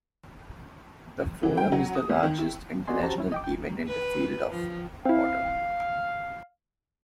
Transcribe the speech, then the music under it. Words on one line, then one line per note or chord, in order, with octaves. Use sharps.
The Forum is the largest international event in the field of water.
E3
G5
F#3
D#6
G#1
D#3
E4
F#4 A#4 D5 D#5 G#5 C6
C#4 F#4 G4 C5 A5 A#5
F#3 C#4 E4
D#5 G5 D6
G5
B4
F3
C4 E4 F5